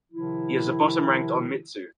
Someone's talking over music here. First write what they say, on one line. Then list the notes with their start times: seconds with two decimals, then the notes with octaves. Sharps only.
He is a bottom-ranked onmitsu.
0.12 C3 D#3 F3 E4